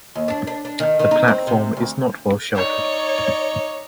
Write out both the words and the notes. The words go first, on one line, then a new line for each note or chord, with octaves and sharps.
The platform is not well sheltered.
D#2
D4
D4
D4
D#3
D#3
D#4
C4
C3
D2
D#4 C#5 D5